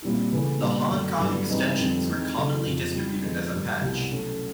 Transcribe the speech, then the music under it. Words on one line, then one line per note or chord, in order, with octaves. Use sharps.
The Hong Kong extensions were commonly distributed as a patch.
A#2 G3 C4 E4
C#3 E3 A3
A#2 G3 B3 D4
F#2 D3 F#3 A3
G2 D3 F#3 B3 E4
G2 E3 G#3 C4 D#4
F2 D3 G3 C4
E3 G#3 C4 D#4
C#3 F#3 A3
F2 C#3 F3
G3 C4 E4
F2 D3 F3 G#3 B3
G2 D3 F#3
C2 B2 G3
F#3 A3 C#4